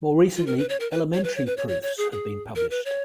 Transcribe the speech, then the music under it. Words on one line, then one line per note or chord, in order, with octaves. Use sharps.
More recently, elementary proofs have been published.
F4
A#4
B4
C#5
A#4
B4
C#5
B4
C#5
B4
C#5
C#5
C#5
G#4
G#4
A#4
B4
C#5